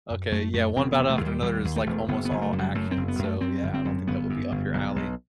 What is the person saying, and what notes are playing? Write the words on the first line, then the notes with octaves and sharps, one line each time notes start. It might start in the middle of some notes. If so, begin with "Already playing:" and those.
Okay, yeah, One Battle After Another is, like, almost all action, so, yeah, I don't think that would be up your alley.
F#2
F#2 A3
F#2 A3
E1 C4
B3
E1
A3
D#2
G3
D#2 G3
D#2
A3
E1
F#1 B3
B3
F#1
A3
F#2
G3
F#2 A3
C4
F#1
B3
F#2 A3
F#2 C4
G1
C4
F#2
G1 B3
F#2
G1
B1
B1